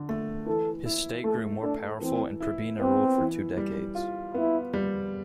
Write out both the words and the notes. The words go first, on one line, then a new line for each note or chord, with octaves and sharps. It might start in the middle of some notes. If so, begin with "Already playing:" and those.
His state grew powerful and Pribina ruled for two decades.
Already playing: D3
A3
E3 A4
E4
A3 A4
D4 A4
E3 C4
E4
B3 C4
E3
G3
F4
B3 E4
G3